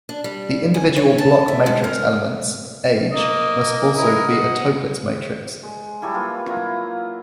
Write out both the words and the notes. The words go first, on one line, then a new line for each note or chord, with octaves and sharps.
The individual block matrix elements, Aij, must also be a Toeplitz matrix.
D4
G3
G#5
C#5
A5
E5
G#3
A#4
A#3 D#5
E4 A#4 D#5
F#5
G#3
F#3 G3 E4 A4
A#3 F4 B4
F#3 E4 F4 A#5